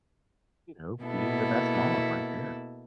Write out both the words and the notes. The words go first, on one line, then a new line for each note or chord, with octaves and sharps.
you know, being the best mom right there.
B2 A#3 B3 E4 A4